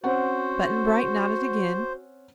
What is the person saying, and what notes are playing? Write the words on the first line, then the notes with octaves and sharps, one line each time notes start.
Button-Bright nodded again.
C4 C#4 F#4 C5 F#5